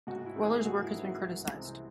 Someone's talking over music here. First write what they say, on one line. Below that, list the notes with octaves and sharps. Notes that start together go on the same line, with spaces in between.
Wehler's work has been criticized.
G#2 F#4
E4
D#3 A3 C4
G#4
G#2 F#4
E4
D#3 A3 C4
F#4
C2
C3 E3 G#3 C4